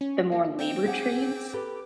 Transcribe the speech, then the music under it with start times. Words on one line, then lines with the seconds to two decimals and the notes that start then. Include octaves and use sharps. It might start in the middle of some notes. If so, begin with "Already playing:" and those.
the more labor trades,
0.01 C#4
0.32 A#3
0.59 C4 G5
0.86 G#4 F#5 G#5 D6
1.53 G4 A4 B4